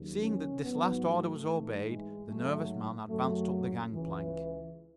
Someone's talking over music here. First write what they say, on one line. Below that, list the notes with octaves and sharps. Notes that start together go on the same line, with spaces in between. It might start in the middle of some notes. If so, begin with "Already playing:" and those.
Seeing that this last order was obeyed, the nervous man advanced up the gangplank.
Already playing: D#2 C#3 F#3
C#4
G#2 F#3 B3
A3
G#2 E3
G#3
G#2 F#3 A3
F#2 C#3 F#3 A3
C#2 C#3 E3